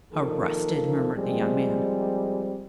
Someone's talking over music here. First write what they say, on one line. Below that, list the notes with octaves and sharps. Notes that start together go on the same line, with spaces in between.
"Arrested!" murmured the young man.
D#3 F3 A#3 A4
F3 G3 G#3 C4